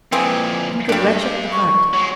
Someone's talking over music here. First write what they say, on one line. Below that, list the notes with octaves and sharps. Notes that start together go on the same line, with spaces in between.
One could retch up the heart...
F2 A#2 E3 C4 G#4
G2 G3 D4
C#6
F#3 G#3